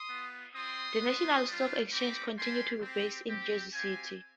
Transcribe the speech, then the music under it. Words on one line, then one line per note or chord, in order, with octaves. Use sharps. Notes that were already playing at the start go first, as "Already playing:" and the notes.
The National Stock Exchange continued to be based in Jersey City.
Already playing: C6 D#6
B3 F4
C4 F4 C6 D#6
B3 F4
G3 D4 F4
C4 D#4 G4 B5 D6
G3 D4 G4 G#5 C6
C4 G4
C4 G4
C4 G4 F5 G#5